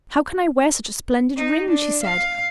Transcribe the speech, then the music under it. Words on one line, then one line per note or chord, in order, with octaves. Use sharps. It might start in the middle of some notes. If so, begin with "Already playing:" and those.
"How can I wear such a splendid ring?" she said.
D#4
D4
F5